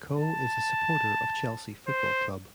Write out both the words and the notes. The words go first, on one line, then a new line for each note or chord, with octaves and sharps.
Coe is a supporter of Chelsea Football Club.
A5
C5